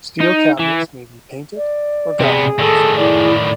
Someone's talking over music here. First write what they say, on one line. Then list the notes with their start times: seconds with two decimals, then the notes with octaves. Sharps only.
Steel cabinets may be painted or galvanized.
0.20 D#4
0.60 E3
1.56 D5
2.20 C3 B3 G#4
2.59 A2 D#3 A4
2.98 E4 D5